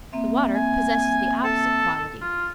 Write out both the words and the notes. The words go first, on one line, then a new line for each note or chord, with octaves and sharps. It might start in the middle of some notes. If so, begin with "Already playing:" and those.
The water possesses the opposite quality.
A#3 C4 E5
G#5
A4
F4